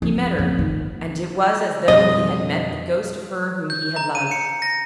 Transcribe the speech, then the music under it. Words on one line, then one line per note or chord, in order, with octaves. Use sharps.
He met her. And it was as though he had met the ghost of her whom he had loved.
F2
F2
D#3
F2 B2 G3 D#5
G6
A#5
D#7
C#7
A#6